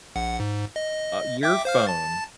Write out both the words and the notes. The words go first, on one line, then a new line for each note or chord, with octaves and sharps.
uh, your phone
A#1 F#5
G#2
D#5
E5 G5 D6
C5 F5 F6
A5 A6